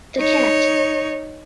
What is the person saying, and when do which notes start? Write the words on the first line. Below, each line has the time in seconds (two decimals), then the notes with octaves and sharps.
The Cat.
0.18 D#4 C#5